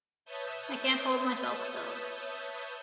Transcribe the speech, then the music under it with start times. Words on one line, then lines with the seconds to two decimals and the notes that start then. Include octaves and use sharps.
I can't hold myself still.
0.25 B4 C#5 E5 A5 D#6 G6